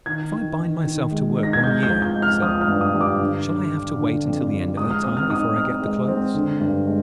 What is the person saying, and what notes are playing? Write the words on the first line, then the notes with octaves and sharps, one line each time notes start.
"If I bind myself to work one year," said I, "shall I have to wait until the end of that time before I get the clothes?"
D#3 G#6
D#3
D#3
D#3
G#3
D#4
A#6
G#6
G#3 G6
G6
F3
G6
G#3
F6
F3 D#6
F6
G2
D#6
G2
D6
D3
D3
D3
D3
F2
F3
G#3 D#6
F6
C4 D#6
F6
D#4 D#6
C4 F6
G#3
C4
D3
G2
G#3